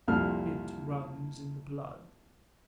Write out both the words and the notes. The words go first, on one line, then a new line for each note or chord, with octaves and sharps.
It runs in the blood.
C2 F2 A#2 F6